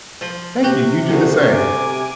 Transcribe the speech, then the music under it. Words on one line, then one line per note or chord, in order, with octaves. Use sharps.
Thank you. You do the same.
F3
C3 F#4 G4
D2 F#4 G#4
G#5 D6